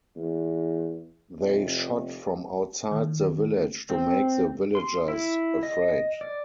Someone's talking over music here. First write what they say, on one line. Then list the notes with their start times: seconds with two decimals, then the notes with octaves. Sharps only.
They shot from outside the village to make the villagers afraid.
0.17 E2
1.39 F1
2.91 D#3
3.90 C4
4.75 C6
5.08 E4
5.63 D#5
6.21 D5